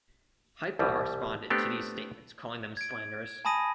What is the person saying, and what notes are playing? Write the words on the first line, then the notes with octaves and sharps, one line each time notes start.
Hipa responded to these statements calling them slanderous.
C2 B2 E3 G3
A3 B3 C4 D4 G4
G#6 D7
G#5 A5 B5 D#6 A#6 D#7